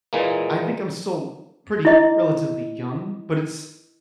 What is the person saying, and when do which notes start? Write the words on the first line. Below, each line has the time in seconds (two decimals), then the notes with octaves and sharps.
I think I'm still pretty relatively young, but it's
0.13 A#2 E3 G#3 A#3
1.85 E4 D#5